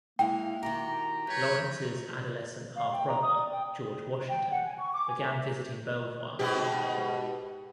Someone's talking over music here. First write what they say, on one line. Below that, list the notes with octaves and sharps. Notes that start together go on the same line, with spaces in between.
Lawrence's adolescent half-brother, George Washington, began visiting Belvoir frequently.
G#3 A#3 E4 F5 G5
D#3 F#4 G4 A#5
F#2 B4 C#5 G5
F5
G5
A#5
D#6
D5
G5
G5
F#5
G#5
C#6
D6
G#5
E5
G#2 B2 G4